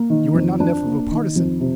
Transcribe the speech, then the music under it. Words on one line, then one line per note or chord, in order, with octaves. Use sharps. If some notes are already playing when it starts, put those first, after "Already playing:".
You are not enough of a partisan.
Already playing: A#3
D#3
F2
D4
A#3
D#3
F2
C3